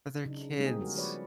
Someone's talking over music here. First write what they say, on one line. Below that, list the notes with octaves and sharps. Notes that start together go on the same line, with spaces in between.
But they're kids.
C#3 F#3 D4 D#4
G3 G#3 A#3 C4 D#4 G#4
G3 C#4 F#4 A#4
F3 F#4 B4 C#5 D5